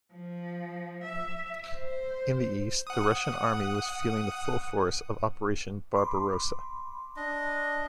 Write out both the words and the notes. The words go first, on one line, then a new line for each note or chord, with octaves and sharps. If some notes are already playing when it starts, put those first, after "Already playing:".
In the East, the Russian Army was feeling the full force of Operation Barbarossa.
F3
E5
C5
F#5 D#6
B5 C6 D6
D4 D#5